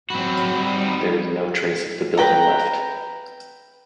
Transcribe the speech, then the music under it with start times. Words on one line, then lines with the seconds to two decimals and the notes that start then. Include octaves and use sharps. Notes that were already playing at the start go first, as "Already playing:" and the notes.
There is no trace of the building left.
0.10 F#3 C4 F#4 B5
0.54 G3 D#4
2.18 B4 G5 A#5